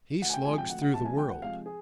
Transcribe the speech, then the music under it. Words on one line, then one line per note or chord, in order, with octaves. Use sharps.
He slogs through the world.
D2 F#5
G#5
G5
C3 F3 G#3 G#5
G5
D2 F#5
F#5
C3 F3 G#3 A5
G#5
D2 G5
F#5
C3 F3 G#3 F5
G#4